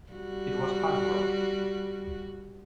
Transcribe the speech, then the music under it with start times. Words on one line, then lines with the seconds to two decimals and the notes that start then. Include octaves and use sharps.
It was punk rock.
0.10 G3 F#4